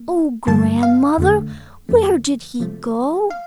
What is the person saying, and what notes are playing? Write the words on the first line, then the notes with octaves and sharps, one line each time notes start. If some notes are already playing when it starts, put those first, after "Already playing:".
"Oh, grandmother, where did he go?"
Already playing: A#3
G2 D3 G3 A#3 A5
F5
F2 D3 A3
F2 D3 F3 A3
C3 F3 A3
F5